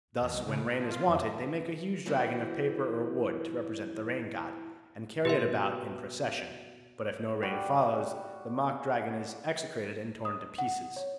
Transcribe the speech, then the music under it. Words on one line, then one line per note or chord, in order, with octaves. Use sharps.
Thus, when rain is wanted they make a huge dragon of paper or wood to represent the rain-god, and carry it about in procession; but if no rain follows, the mock-dragon is execrated and torn to pieces.
E2
C2
C#3
A#2
F3
F4
F2
E3 B3 C4 E4 F#4
B2 G4 B4 E5
G3 F#4 B5
D#6
F#5
C#5